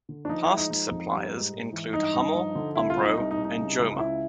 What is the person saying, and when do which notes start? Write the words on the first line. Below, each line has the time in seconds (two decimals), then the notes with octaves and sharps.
Past suppliers include Hummel, Umbro and Joma.
0.09 D3
0.25 D4
0.29 F3 D#4
0.43 E4
0.50 G#3
0.57 D#4
0.70 F3 D#4
0.91 F2
1.12 G3
1.32 G#2
1.52 G#2
1.72 E3
1.93 G2 D#4
2.14 G2
2.35 F3
2.55 D3
2.75 C2 E4
2.90 F4
2.96 C2
3.03 D#4
3.17 C2 D#4
3.31 D#4
3.38 C2
3.44 D#4
3.58 C#3
3.79 C#2
3.99 C#3 E4